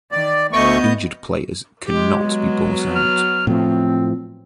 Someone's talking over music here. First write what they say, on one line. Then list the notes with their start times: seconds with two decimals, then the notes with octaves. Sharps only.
Injured players cannot be bought out.
0.12 D#3 D5
0.53 D2 A3 B3 D#5 C#6 G6
1.87 G#3 G4
2.22 F#3 B3
2.95 F6
3.47 A2 F3 C4